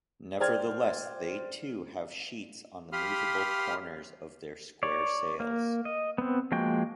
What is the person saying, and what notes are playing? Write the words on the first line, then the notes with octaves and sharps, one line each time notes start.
Nevertheless, they too have sheets on the movable corners of their square sails.
C5 D5 G5 F6 G#6
G4 F5 B5 C6 D#6 F6
C#5 D5
A#3
D#5
B3 C4
F3 G#3 A#3 F#4 G5